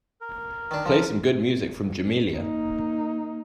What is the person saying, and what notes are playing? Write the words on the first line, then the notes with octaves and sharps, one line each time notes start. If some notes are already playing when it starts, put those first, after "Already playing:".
Play some good music from Jamelia.
A#4
D#3 D4
F3 A4 A#4
A#3 D#4